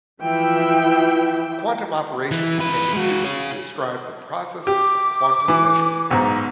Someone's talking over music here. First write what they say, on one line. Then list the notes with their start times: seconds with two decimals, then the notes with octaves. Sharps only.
Quantum operations can be used to describe the process of quantum measurement.
0.22 E3 F3 E5 G5
2.31 E3
2.58 F2 B4
2.93 G#3 F#4
3.24 G#4 C#5
4.67 G4 D6
5.48 E3
6.11 B1 G#2